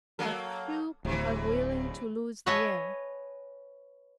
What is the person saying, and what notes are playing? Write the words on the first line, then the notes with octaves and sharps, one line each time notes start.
But few are willing to lose the earth.
F#3 A#3 A4
D1 C3 E3
B4 C#5 D#5 E5 G#5 A5